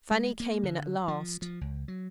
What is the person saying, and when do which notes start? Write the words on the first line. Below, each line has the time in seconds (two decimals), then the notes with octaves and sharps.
Fanny came in at last.
0.11 G#3
0.40 A#3
0.63 D3
1.08 F3
1.42 F3
1.61 C#2
1.88 F#3